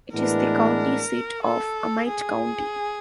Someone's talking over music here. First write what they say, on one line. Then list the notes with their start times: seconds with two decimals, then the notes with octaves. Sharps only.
It is the county seat of Amite County.
0.14 A2 E3 G#3 B3 D4 A#4
1.44 A4
2.08 G#4